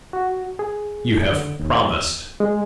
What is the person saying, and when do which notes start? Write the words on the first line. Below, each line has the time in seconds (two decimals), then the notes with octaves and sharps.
"You have promised!"
0.13 F#4
0.59 G#4
1.32 D3
1.60 D#2
2.40 G#3